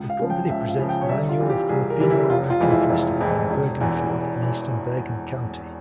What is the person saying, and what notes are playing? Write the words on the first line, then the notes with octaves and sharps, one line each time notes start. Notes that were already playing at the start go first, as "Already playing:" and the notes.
The company presents the annual Filipino-American Festival in Bergenfield in eastern Bergen County.
Already playing: C#2
F5
C#3 F3
G5
C#2 E5
F5
C#3 F3
G5
C#5
C2 E5
F4
C3 E3 G3
G4
C2 G#4
A#4
C3 E3 G3
E4
F1 F4
F4
F2 E3 G#3
E4
F1
F2 E3 G#3
E1
E2 E3
E1
E3